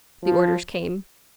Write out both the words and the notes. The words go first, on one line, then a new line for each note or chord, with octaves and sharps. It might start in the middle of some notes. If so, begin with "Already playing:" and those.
The orders came.
F3